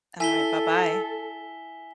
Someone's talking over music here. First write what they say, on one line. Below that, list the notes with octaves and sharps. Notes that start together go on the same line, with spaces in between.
Alright. Bye-bye.
E4 A4 G#5 B6 G7